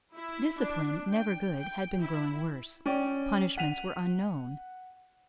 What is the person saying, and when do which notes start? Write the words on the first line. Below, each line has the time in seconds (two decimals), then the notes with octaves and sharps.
Discipline, never good, had been growing worse. Punishments were unknown.
0.15 E4
0.59 D4
1.09 G5
1.60 G5
1.98 E4
2.86 C#4 D5 G5
3.57 F#5 B6 D#7 F7